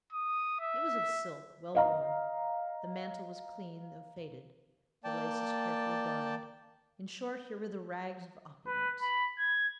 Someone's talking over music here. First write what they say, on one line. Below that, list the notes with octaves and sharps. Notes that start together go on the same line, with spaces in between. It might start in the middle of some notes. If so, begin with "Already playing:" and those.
It was of silk, well-worn; the mantle was clean, though faded; the laces carefully darned; in short, here were the rags of opulence.
D#6
E5
D#5 F5 A#5
A#3 D5 G5 A5
B4
B5
G#6